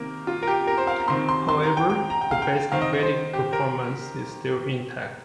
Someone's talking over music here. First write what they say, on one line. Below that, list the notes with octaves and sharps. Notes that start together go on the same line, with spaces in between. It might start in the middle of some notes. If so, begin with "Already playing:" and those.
However, the basic Vedic performance is still intact.
Already playing: C3 D#3 A#3 A#4
F4
A#4
G4
A#4
C5
F5
A#5
C3 D#3 C4 C6
C6
C6
A#5
G5
G5
A#5
G5
F5
G5
D#3 C4 F5
D#5
D#5
C5
G4
A#4